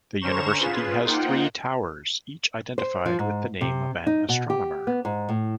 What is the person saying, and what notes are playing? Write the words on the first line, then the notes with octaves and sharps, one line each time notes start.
The university has three towers, each identified with the name of an astronomer.
D3 C#4 C5 A#5 C#6 E7
F4 G#4 B4
A#3 D#4 F4 C5 F#5 G5
C5
F3
G#2
C3
D#4
B2
G4
B3
G#2
A2